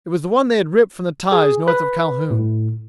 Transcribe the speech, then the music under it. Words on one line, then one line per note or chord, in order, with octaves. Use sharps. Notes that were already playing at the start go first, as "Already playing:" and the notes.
It was the one they had ripped from the ties north of Calhoun.
G#4
B4
A2